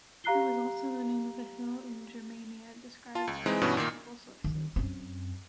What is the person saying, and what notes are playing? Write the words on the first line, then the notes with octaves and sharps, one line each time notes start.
It was also the name of a hill in Germania described by classical sources.
G4 F5 A#5 F#6 C7 G7
F4 A5
C#2
E3 G#3 C4 D#4
G2 B2 E3 C#4
A#2 D#3 A#3
D#3
F#2 C4